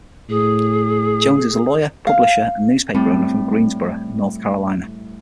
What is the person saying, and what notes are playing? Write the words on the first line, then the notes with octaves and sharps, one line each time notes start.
Jones is a lawyer, publisher and newspaper owner from Greensboro, North Carolina.
A2 G#4
F5
A2 G3 C4